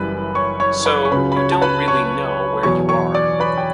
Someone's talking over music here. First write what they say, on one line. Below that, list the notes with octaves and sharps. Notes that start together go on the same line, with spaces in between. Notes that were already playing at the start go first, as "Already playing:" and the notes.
So, you don't really know where you are.
Already playing: F#1 F#2 E3 G3 B4 B5
C#5 C#6
C#5 C#6
B4 B5
C#6
C#2 C#3 F#3 B4 B5
B5
C#5 C#6
A5
B4 B5
C#5 C#6
E2 B2 F#3 C#5 C#6
C#5 C#6
D5 D6
B4 B5
G5